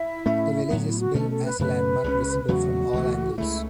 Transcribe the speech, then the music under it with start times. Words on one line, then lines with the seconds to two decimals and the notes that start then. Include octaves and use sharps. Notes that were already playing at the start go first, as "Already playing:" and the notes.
The village is built as a landmark visible from all angles.
Already playing: E4 E5
0.25 A2 A3 C#4
0.70 A2 F#3 B3
0.85 E4
0.99 F#4
1.14 B2 A3 C#4 A4
1.29 A4
1.44 B4
1.59 F#2 C#3 A3 C#4 B4
2.04 C#2 C#3 F#3 C#4
2.48 E2 C#3 F#3 A3 F#4
2.93 C#2 C#3 E3 A3
3.38 C#2 C#3 A3 E4